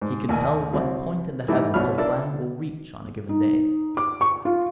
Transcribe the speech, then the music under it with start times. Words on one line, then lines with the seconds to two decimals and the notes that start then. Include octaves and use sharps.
He can tell what point in the heavens a planet will reach on a given day.
0.02 G#2
0.29 D#2 A2 A#3 A#4 D5 G#5
0.73 C2 F#3 C4 E4
1.48 E3 G3 A3 D#4 E4
1.74 C2 F#3 B3 C#5 B5 F6
1.98 D4 E4 F4 A4 A#4 D5
3.29 D#4
3.97 D6
4.21 C#6
4.45 F4